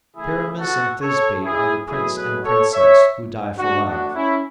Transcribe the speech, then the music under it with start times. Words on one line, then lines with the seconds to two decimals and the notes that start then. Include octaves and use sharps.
Pyramus and Thisby are the prince and princess, who die for love.
0.16 C#3 E3 A3 E4 G#4
0.58 F#4 A4
1.01 A4 C#5
1.44 E4 G#4
1.87 B2 F#3 A3 E4 G#4
2.15 G#4 B4
2.44 A4 C#5
2.72 C#5 E5
3.58 D3 A3 D4 F#4
3.86 D4 F#4
4.15 C#4 E4